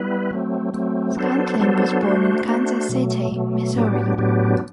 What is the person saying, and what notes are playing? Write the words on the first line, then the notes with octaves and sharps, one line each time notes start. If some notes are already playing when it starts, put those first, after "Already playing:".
Scantlin was born in Kansas City, Missouri.
Already playing: G3 B3 E4 B4
F#3 A3 C4
F#3 A3 C4
F#3 B3 D4 A4 C5
F#3 B3 D4 A4 C5
A3 D4 F#4 C5
A3 D4 F#4 C5
B2 F#3 A3
B2 F#3 A3
A2 F#3 B3 D4 G4
A2 F#3 B3 D4 G4